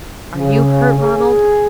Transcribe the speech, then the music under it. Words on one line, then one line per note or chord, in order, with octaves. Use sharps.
Are you hurt, Ronald?
C#3
G#4